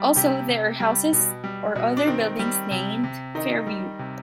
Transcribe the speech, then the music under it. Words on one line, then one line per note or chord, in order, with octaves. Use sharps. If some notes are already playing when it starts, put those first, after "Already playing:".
Also there are houses or other buildings named Fairview.
Already playing: G3
C3 G4
C3
G3
B2
G3
B2
D4
D#3 C4
G3
C3
C3
D#3 D#4
G3
C3